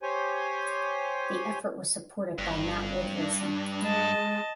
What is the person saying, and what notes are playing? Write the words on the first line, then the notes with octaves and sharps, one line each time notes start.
The effort was supported by Matt Wood Racing.
G4 C5 C#5 G#5
G1 G2
D4
G#3 D#5 A5